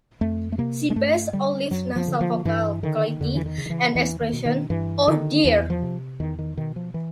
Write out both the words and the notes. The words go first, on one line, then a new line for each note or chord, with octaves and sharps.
She based Olive's nasal vocal quality and expression, Oh, dear!
F2 A3
A3
C3 A#3
G#3
G2 A3
D3 G3
F#2 F#3
F3
D3
F3
G2 E3
D3 D#3
E2 D3
E3
D#3
C#3
D#3
E3
E2 E3
D#3
B2
D#3
G2 E3
D3 D#3
E2 E3
F3
C3
E2 D#3
D#3
B2 D#3
F3
E3